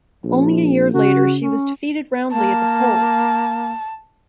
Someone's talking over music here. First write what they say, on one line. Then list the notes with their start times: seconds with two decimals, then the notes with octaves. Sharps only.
Only a year later, she was defeated roundly at the polls.
0.24 A#1 F3
0.94 C#3 F#4
1.40 C#4
2.32 A#3 A5